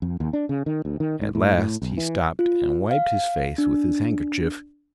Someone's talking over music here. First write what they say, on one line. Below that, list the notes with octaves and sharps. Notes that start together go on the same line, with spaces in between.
At last he stopped and wiped his face with his handkerchief.
F2
D#2
D4
C#3
D#3
D2
D#3
G#2
A2
A2
B1
E3
F4
F5
D4